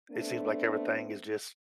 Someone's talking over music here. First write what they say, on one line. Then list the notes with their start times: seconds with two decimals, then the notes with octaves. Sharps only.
it seems like everything is just
0.11 A3 B3 C4 D4